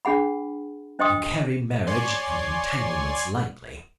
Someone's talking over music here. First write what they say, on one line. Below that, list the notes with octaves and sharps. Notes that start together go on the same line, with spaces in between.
You carry marriage and entanglements lightly.
D4 G#4 F#5 B5
D4 C5 D#5 G5 C6 D#6
C#5 D5 G#5 C6